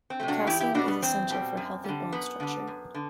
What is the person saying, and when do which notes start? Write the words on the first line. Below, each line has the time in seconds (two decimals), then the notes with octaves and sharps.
Calcium is essential for healthy bone structure.
0.10 C4
0.20 C3 F#3 A3
0.28 D4 F#4
0.47 E2 E4 G4
0.60 E4 G4
0.74 B2 G3 D4 F#4
0.88 B3
1.02 E2 C4
1.30 B2 G3
1.57 F#2
1.84 D3 G3
2.12 F#2 B3
2.40 D3 G3
2.67 F#2
2.94 D3